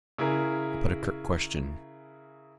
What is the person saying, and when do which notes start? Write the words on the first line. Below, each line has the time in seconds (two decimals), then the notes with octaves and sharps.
I put a curt question.
0.18 C#3 E4 G#4 A#4